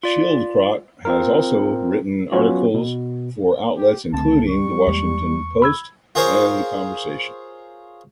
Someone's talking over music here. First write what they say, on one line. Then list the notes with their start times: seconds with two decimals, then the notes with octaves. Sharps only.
Schildkraut has also written articles for outlets including "The Washington Post" and "The Conversation".
0.03 F4 D5
1.05 C4 F4 A#4
2.32 F#3 B3 C#4 F4 F#4
2.74 B2
3.77 G4
4.13 C#2 D3 A3 C4 A5
4.49 G3 C#6
4.87 E2 G#3 A#3
5.62 B5 E6 G#6
6.15 F4 G#4 A#4 C5 C#5